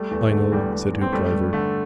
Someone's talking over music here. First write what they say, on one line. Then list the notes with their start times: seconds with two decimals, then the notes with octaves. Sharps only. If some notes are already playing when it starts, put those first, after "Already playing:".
"I know," said Hoopdriver.
Already playing: G3 A3
0.11 E2 A3
0.31 D3 A3
0.52 E2 G3
0.73 G3
0.93 E2
1.01 C4
1.12 G3 A3
1.32 G2
1.53 D3 A3